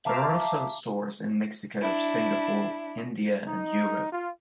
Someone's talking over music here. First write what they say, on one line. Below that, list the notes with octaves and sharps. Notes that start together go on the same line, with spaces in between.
There are also stores in Mexico, Singapore, India and Europe.
E5 F5 A5 A#5 D6
D4 E4
D#4
F4